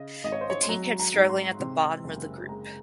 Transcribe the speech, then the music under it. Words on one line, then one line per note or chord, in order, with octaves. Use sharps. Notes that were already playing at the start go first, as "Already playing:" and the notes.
The team kept struggling at the bottom of the group.
Already playing: C#3 D#5
G#1 D#5
C#5
C5
C#5
C6
F#3 A#5
A#5
G#2
C6
C3
F#1
G#3 A#5